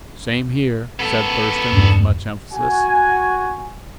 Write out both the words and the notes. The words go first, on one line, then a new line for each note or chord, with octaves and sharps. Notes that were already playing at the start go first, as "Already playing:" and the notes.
"Same here," said Thurston with much emphasis.
B3 A4
E1 G2 D4
F#4 G#5